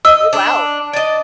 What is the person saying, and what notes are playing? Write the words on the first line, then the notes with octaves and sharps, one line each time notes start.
Oh wow.
D#5 E6
D4
D5 D#5